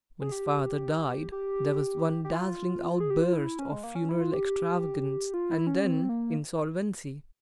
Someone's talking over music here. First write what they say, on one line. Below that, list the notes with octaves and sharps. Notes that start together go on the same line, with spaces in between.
When his father died, there was one dazzling outburst of funeral extravagance, and then insolvency.
G#4
G4
G4
G4
F4
G#4
G4
F4
E4
C#4
G#3
A#3
C#4
E4
F4
G4
F4
E4
C#4
C4
A#3